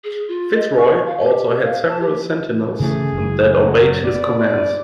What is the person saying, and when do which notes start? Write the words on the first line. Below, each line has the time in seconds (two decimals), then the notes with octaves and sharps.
Fitzroy also had several Sentinels that obeyed his commands.
0.04 G#4
0.28 F4
0.55 D#5
0.77 C#6
1.06 F5
1.23 G4
1.64 F5
1.88 A5
2.00 G4
2.80 C#3 E3 A3 G#4
3.13 F#1
3.58 F#3
4.04 B3 D5
4.38 D5